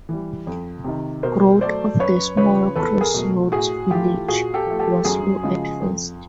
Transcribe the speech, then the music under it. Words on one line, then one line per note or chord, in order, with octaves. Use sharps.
Growth of the small crossroads village was slow at first.
E3 G3
F2
C3 D#3
B2 A#4 C5
F#3 A3 C5 D5
F#2 B4 C#5
C#3 F3 B4 C#5
E2 A4 B4
G#4 A#4
B2 F#3 A3
A2 F#4 G#4
E3 A3 F4 G4
A#2 F#4 G#4
G4 A4
F3 A3
G4 A4
F#2 F#4 G#4
C#3 F3 G#3
F2